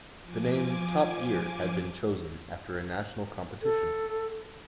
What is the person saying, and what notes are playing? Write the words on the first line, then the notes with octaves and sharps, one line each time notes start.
The name, Top Gear, had been chosen after a national competition.
F3 G#5 D6
A4